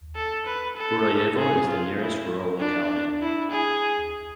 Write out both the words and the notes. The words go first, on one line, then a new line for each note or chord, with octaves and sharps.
Burayevo is the nearest rural locality.
A4
B4
A4
G#4
F4
E4
D4
E4
G#4